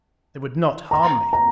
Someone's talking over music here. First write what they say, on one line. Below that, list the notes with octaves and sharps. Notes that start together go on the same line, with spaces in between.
They would not harm me.
A#5
A#5